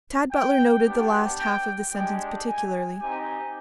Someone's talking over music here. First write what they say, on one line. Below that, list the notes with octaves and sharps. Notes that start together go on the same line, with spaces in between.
Tad Butler noted the last half of the sentence particularly.
G5
B3 D4 G4
G5
G#3 D4 G4 G5
G#5
C4 D#4 G4 G#5